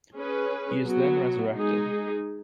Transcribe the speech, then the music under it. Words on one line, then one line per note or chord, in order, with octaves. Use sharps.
He is then resurrected.
C#4 G#4 B4
F#3 B3 F#4
G#3 D#4 G#4